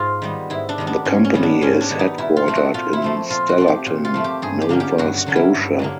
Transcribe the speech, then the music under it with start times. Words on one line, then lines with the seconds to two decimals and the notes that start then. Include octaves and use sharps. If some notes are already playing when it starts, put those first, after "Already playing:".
The company is headquartered in Stellarton, Nova Scotia.
Already playing: G#2 F4
0.22 D#3 G3 B3
0.50 G#2 E4
0.69 D4
0.78 D#3 G3 B3
0.87 D4
1.05 G#2 C#4
1.24 C#4
1.34 D#3 G3 B3
1.43 D4
1.62 G#2 C#4
1.81 D4
1.90 D#3 G3 B3
1.99 D#4
2.18 A#2 E4
2.36 F4
2.46 F3 A3 C4
2.55 F#4
2.74 A#2 F4
2.93 E4
3.02 F3 A3 C4
3.30 A#2 F4
3.49 F#4
3.58 F3 A3 C4
3.68 G4
3.86 A#2
4.05 F4
4.14 F3 A3 C4
4.24 G4
4.42 G2 G#4
4.61 G4
4.69 D3 F#3 A#3 C#4
4.80 G4
4.98 G2 F#4
5.18 F#4
5.26 D3 F#3 A#3 C#4
5.36 E4
5.55 G2
5.79 D3 F#3 A#3